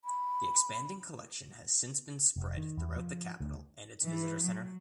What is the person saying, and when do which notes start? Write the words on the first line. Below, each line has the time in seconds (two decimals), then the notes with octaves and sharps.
The expanding collection has since been spread throughout the Capitol and its Visitor Center.
0.05 B5
2.36 F1
2.57 D#3
2.77 E2
2.96 F3
3.40 D2
4.03 E3
4.42 F#3